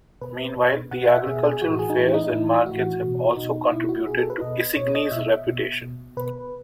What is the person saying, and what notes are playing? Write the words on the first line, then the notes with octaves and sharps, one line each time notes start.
Meanwhile, the agricultural fairs and markets have also contributed to Isigny's reputation.
B2 B4
B2
B2 F#5
E5
B2 G#4
G#4
A2 E3 F#4
F#4
G#4
D#4
A2 E3 E4
D#4
A2 E3 E4
A2 E3 F#4
B2
B2 D#4
B2 E4
F#4
B2 G#4
A4
B4
B2 D#5
B2 C#5
D#5
B2 E5
B2
B2
B2 B4